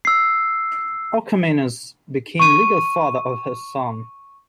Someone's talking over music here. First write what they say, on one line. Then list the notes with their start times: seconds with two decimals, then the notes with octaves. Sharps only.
Orchomenus became legal father of her son.
0.05 E6 C7
2.40 C#6 D#7